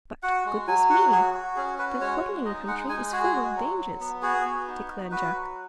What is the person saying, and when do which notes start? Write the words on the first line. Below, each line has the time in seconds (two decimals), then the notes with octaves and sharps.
"But--goodness me!--the Quadling Country is full of dangers," declared Jack.
0.23 F#4 F#5
0.45 G#3
0.67 F#3 G#5
0.90 F#4 F#5
1.11 F#4 G#4
1.34 F#4
1.56 C#4 G#4
1.79 F#4 B4
2.01 G#3 C#5
2.23 G#3
2.45 D#4 D#5
2.67 G#3 F#5
2.89 G#3 G#5
3.12 F#4 G#4
3.24 G#4
3.33 F#4
3.56 F#3
3.78 F#3
4.00 B3
4.22 F#4 G#4
4.45 B3
4.68 D#4
4.89 F#4
5.11 F#4 B4
5.34 F#3